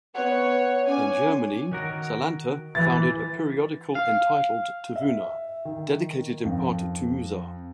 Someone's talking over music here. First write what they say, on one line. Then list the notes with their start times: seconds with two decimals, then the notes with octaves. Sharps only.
In Germany, Salanter founded a periodical entitled "Tevunah," dedicated in part to Musar.
0.14 B3 B4 C#5 F#5
0.87 C#4 D5 G#5
1.72 D#3 F#4 A#4
2.75 E3 A6
3.95 F5
4.96 E5
5.65 D#3
6.45 F2